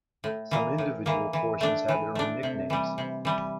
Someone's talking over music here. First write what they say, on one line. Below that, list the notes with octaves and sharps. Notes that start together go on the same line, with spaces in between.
Some individual portions had their own nicknames.
A2
E3 A#3
A2
E3 A#3
E3
A3 D4
E3
A3 D4
C3
E3 G3
C3
E3 G3